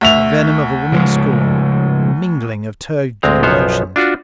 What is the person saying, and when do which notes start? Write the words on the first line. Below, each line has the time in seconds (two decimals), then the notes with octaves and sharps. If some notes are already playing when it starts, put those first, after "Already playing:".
The venom of a woman scorned--a mingling of turgid emotions....
0.01 D2 E5 F7
0.92 C#3 F3 G#3
3.23 D2 G#3 C4 A#5
3.43 B1 F#2 F3 B3 C5 C#5
3.96 D4 F4 F#4